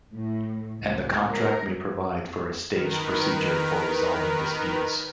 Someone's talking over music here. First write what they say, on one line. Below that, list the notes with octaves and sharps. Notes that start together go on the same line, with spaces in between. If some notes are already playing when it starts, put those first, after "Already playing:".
And the contract may provide for a staged procedure for resolving disputes.
A2
C#2
A#4
D#3 A#4 B4